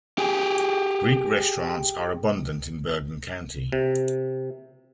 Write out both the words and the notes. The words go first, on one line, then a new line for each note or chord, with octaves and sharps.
Greek restaurants are abundant in Bergen County.
G4 G#4
C3